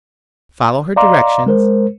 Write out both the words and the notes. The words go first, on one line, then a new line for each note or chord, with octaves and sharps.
Follow her directions.
D5 D#5 F5 A#5 C6 D6
G#3 A#4 C5